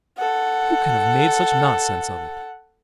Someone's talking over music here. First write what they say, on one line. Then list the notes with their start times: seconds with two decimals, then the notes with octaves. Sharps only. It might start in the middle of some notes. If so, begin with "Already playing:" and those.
"Who can have made such nonsense of it?"
0.18 A4 F#5